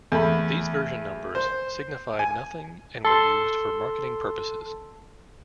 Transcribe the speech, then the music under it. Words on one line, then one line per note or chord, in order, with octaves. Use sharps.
These version numbers signified nothing and were used for marketing purposes.
E2 A3 B5
C5
G#5
A4 C6